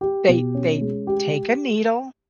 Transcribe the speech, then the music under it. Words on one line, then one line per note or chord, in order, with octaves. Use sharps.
They they take a needle
G4
B2
C#4
G#3
G4